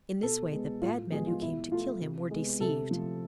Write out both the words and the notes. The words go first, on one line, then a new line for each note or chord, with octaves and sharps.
In this way the bad men who came to kill him were deceived.
B2 A4
G#3 B3
A2 F4
F3 G#3 B3 G#4
F4
B2 E4
A3 F4
C3
G#3 B3
C3 A4
F3 A3